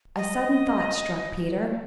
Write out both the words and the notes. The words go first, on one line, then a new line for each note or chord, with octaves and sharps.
A sudden thought struck Peter.
D#5